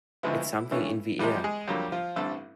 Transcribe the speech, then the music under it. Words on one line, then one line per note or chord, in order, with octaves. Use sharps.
It's something in the air.
D2 C3 F3 G#3 B3 E4
G2 E3 A3 C#4
E2 C3 F3 G3 G#3 G4
G#3 G#4
F2 D3 F#3 G3 A#3 G4
F3 F4
A1 G2 D3 G3 A3 C4 A4